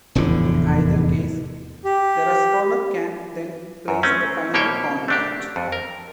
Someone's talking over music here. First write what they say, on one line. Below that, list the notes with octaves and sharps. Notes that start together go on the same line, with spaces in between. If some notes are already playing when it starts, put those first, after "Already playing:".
In either case, the responder can then place the final contract.
F1 E2 A2 D3
G4
F#2
A3 C4 C#4
B2 A#3 G4 C5 C#5 G5
A3 D4 G4
F2
A#4